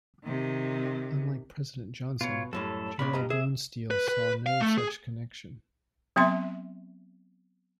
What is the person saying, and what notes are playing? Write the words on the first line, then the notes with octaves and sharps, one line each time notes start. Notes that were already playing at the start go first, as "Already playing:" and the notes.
Unlike President Johnson, General Bonesteel saw no such connection.
C3 D#3
B2 F4 C#5
F#2 A2 G3 A4
A#2 C#3 D4 B5
G2 D#5 A#5
G#4 E5
B4
B4
F5
A3
G#4
F#3 B3 C4 E5 C6